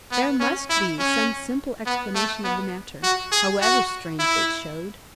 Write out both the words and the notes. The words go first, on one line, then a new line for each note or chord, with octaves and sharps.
There MUST be some simple explanation of the matter, however strange it showed!
B3
C#4
E4
C#4
B3
A3
B3
F#4
G#4
F#4
E4